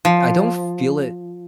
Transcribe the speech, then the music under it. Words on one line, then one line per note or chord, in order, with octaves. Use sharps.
I don't feel it
F3